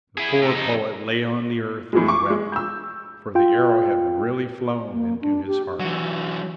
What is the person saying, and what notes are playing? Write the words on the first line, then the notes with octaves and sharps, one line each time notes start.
The poor poet lay on the earth and wept, for the arrow had really flown into his heart.
E4 G#4
A2
F2 D#4
A2 E3 F#3 G#3
C#6 D6
G#3
E6 G6
F4 G5
A#3
D4
G4
E3 F#3